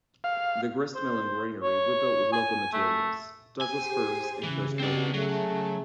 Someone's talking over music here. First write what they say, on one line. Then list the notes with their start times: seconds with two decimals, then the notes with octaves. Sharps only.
The gristmill and granary were built with local materials, Douglas firs and coast redwoods.
0.24 F5
0.95 C5
1.63 C#5
2.33 G#5
2.73 A3
3.61 G4 G#4 C5 G#5
4.43 C#3 E3
4.80 B2 C4 G4 D5
5.14 F#3 A3 G#4